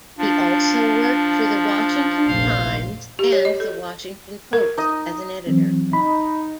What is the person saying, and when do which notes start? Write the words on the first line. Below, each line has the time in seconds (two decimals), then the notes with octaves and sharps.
He also worked for "The Washington Times" and "The Washington Post" as an editor.
0.18 F3 D4
2.28 F1 A#1 C5 F5
3.19 G4
3.32 C#5
3.45 D#5
3.60 A4
4.53 A#4
4.77 D#4 D#5
5.47 E3 F#3 C4
5.93 D#4 B5